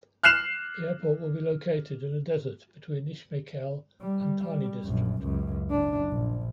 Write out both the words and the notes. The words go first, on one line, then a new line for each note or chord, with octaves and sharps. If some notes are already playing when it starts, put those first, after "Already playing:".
The airport will be located in a desert between Ismailkhel and Tani District.
F6 F#6 C7 E7 F7
G3
G3
A#1 F#2
C#2 F#2
F#1 D4
A#1